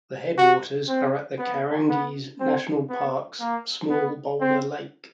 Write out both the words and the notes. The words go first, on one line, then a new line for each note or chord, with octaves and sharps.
The headwaters are at the Kahurangi National Park's small Boulder Lake.
F#4
C4
B3
B3
C4
B3
A#3
B3
C4